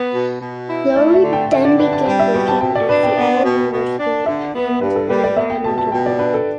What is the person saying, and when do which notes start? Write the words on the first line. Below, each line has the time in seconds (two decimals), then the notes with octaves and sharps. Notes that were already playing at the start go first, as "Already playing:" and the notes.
Lowry then began working at Seattle University and an environmental group.
Already playing: B3 B4
0.13 B2
0.40 B2
0.69 E4
0.96 A3 D5
1.14 E5
1.23 D3
1.33 G5
1.51 D3 E5
1.65 D5
1.78 D4 B4
1.93 A5
2.06 G3 G5
2.19 E5
2.34 B2 G5
2.48 A5
2.61 B2 G5
2.75 D5
2.89 D4 B4
3.03 G5
3.17 B3
3.44 B2
3.71 B2
3.99 D4
4.26 D3 E5
4.54 B3
4.81 G2 B4
4.96 A4
5.09 G3 B4
5.24 D5
5.36 B3 E5
5.50 G5
5.64 B2 A5
5.78 A5
5.92 B2 G5
6.06 D5
6.19 D4 B4
6.34 A4